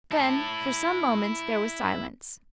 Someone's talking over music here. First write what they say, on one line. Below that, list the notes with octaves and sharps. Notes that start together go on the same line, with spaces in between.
Then, for some moments, there was silence.
E4 A5